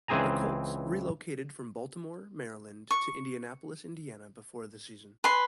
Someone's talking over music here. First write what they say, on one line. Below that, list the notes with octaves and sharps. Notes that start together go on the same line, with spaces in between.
The Colts relocated from Baltimore, Maryland to Indianapolis, Indiana before the season.
C#2 E3 C4 G#4 G#5 A#5
C#6
B4 G#5 C6